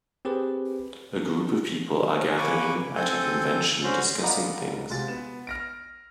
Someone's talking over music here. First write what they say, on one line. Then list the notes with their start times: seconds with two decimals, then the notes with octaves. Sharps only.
A group of people are gathering at a convention discussing things.
0.25 C4 G4 G#4 B4 C5
2.37 A#3 B4 G#5 C#6 D6
2.96 C4 A4 G#5 G6
3.84 D3 C#4 F#4 C5
4.22 F4 D5 D#5 F#5 A#5 B5
4.90 C3 G#3 F4 F#4 A6
5.08 B3 E7
5.47 F6 A#6 D7